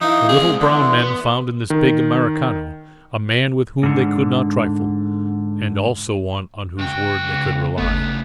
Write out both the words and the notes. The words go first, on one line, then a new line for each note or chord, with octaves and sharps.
The little brown men found in this big Americano a man with whom they could not trifle, and also one on whose word they could rely.
E3 D#4 F5
C4 G#4 D5
G#2
E2 D3 C6
B3
D#3
G#2 D3
C#2 F#4 G5
G1 C#3 A3 B3